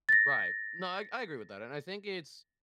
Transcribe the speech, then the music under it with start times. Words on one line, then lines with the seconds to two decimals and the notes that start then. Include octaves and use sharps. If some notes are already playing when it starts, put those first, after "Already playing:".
Right. No, I I agree with that, and I think it's
0.09 A6 A#6